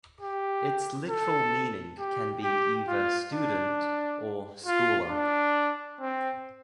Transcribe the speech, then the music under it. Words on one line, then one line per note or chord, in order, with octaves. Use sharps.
Its literal meaning can be either "student" or "scholar".
G4
A4
G4
G4
F4
D4
F4
D4
C4